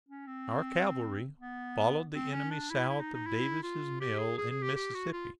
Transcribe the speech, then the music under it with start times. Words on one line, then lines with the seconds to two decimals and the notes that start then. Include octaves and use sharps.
Our cavalry followed the enemy south of Davis' mills in Mississippi.
0.09 C#4
0.27 C4
1.39 B3
2.14 C4
2.32 C#4
2.51 D4
2.70 E4
2.89 E4
3.00 D#4
3.14 D#4
3.26 E4
3.63 F4
4.01 G4
4.19 G#4
4.38 G#4
4.50 G#4
4.63 G4
4.75 G4
4.94 F#4
5.13 F4